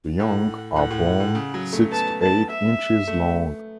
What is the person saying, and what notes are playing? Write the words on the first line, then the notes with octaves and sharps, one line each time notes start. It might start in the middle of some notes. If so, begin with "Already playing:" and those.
The young are born six to eight inches long.
A2 F#5
A2 F#5
A2
A2
A2
C#3
F#3
A3
B3 A5
A5
E5
A3